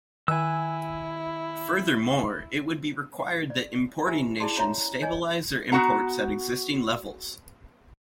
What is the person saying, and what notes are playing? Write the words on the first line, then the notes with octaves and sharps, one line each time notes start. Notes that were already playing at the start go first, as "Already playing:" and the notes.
Furthermore, it would be required that importing nations stabilize their imports at existing levels.
D#3 E4 G#5 E6 F#6
D5
E4 F4 G4 B4 E5 G#5
E4 F#4 G#4 D5 A5 C6
C#4 F4 F#4 C#5 E5 A#5
D4 C#5 D#5 G#5
B3 C4 F#4 F#5 A#5